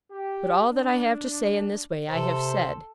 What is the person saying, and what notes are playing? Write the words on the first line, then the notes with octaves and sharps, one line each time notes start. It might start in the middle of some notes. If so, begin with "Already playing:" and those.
But all that I have to say in this way, I have said.
G4
D4
C3 A4 C5